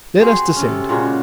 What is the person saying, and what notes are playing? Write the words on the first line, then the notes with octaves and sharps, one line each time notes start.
Let us descend.
C4 F#4 G#4
C3 C#4
A4
A#2 C#3 G#3 F#4